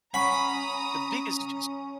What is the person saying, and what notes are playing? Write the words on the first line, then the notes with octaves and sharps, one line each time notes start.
the biggest
C#4 F#5 G#5 A#5 B5 C#6 D#6